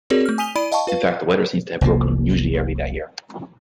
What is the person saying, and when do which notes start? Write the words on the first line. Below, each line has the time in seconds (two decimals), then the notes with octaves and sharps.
In fact the weather seems to have broken unusually early that year.
0.10 C4 F#4 G#4 A#4 C#5 D5
0.26 A3 F6
0.38 G#5 D#6 B6 D#7 F7 G7
0.56 E4 D5 B5 D7 D#7
0.72 D#5 F5 G5 A5 C#6
0.87 F4 B4 F5
1.81 F1 C2 F3 A#3